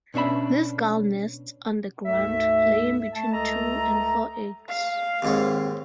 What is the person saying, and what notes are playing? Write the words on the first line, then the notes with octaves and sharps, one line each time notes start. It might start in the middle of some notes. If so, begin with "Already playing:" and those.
This gull nests on the ground, laying between two and four eggs.
B2 C#4 D4 E5 B5
D2 G#2 A3 A4 E5
A3 A5
C#2 A3 A4 D#5 A#5
F5
D#2 G#2 C4 C#5